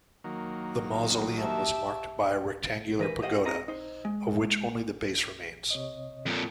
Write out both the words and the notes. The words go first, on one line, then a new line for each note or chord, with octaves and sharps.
The mausoleum was marked by a rectangular pagoda, of which only the base remains.
D#3 F#3 A#3
G4 E5 A5
E3 A#4 B4
G4 C5 D#5 F5 F#5
C4 G#4 D#5 A#5
D#4 C5
G#3
C3 C#5 D#5
F2 A#2